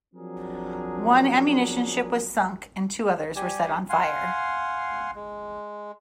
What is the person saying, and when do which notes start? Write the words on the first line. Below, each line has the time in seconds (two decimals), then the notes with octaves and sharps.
One ammunition ship was sunk and two others were set on fire.
0.14 F3 F#3 C4 D4 G#4 A#4
3.36 G3 G4 G#5
3.89 F5 F#5 G#5 C6
5.15 G#3